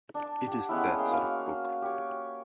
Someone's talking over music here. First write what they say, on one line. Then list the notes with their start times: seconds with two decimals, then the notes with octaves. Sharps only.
"It is that sort of book.".
0.14 D4 A5
0.47 G4 F#5
0.69 G#3 B3 C#4 E4
0.98 A#3 G#4 G5
1.11 F#4 F5
1.82 G4 C#5